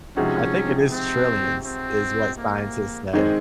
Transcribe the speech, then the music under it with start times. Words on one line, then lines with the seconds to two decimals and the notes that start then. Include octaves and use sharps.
I think it is trillions, is what scientists say.
0.16 C3 F3 G#3 C#4 D#4 F#4
0.91 C4
1.65 C4
2.38 A#3
3.13 G#2 D#3 G#3 C4